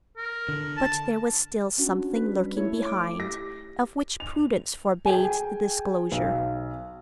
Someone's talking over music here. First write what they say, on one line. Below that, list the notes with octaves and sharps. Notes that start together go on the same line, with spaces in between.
But there was still something lurking behind, of which prudence forbade the disclosure.
A#4
D3
A5
C#4 D4 F#4
B4
G3
A3 E4 C#5
D6
G4 A#6
F7
G#4 G5 G#5
B1